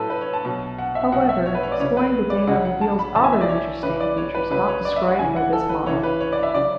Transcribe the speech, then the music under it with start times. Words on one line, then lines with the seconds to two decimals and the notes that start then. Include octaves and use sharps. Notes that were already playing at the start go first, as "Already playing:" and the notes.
However, exploring the data reveals other interesting features not described by this model.
Already playing: A2 F#3 A4 B4
0.10 B4
0.21 C#5
0.33 A5
0.45 B2 F#3
0.78 F#5
0.95 E5
1.12 B2 F#3 F#5
1.29 E5
1.46 C#5
1.55 B4
1.63 C#5
1.72 D5
1.80 C#3 F#3 C#5
1.97 B4
2.30 D5
2.47 C#3 F#3 F#5
2.65 F#5
2.81 A5
2.99 B5
3.15 A2 E3 A5
3.24 G#5
3.33 E5
3.41 D5
3.49 C#5
3.83 C#3 E3 B4
4.00 D5
4.17 C#5
4.35 B4
4.51 C#3 F#3 B4
4.68 C#5
4.85 D5
4.96 E5
5.08 F#5
5.19 C#3 E3 G#5
5.36 F#5
5.53 A4
5.69 B4
5.86 C#3 E3 C#5
6.03 B4
6.20 C#5
6.32 D5
6.43 E5
6.54 C#3 F#3 D5